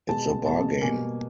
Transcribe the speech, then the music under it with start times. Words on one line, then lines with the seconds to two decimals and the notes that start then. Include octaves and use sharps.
It's a bargain!
0.09 B2 G#3 A5
0.45 B2 G#3 A5
0.81 B2 G3 A#3 G#5